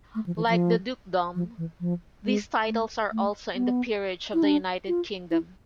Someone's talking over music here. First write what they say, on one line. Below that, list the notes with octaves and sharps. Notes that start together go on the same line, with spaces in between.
Like the dukedom, these titles are also in the Peerage of the United Kingdom.
A3
F3
E3
F3
F3
E3
F3
G#3
A3
A3
B3
E4
D4
F4
E4